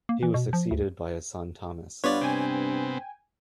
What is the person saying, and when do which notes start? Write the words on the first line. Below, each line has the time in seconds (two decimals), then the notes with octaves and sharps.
He was succeeded by his son Thomas.
0.09 A#3
0.23 E3
0.34 B2
0.53 F3
0.71 D2
2.04 G2 B3 F4 B4 C#5 D5
2.21 C3 B3 C4 G5 G#5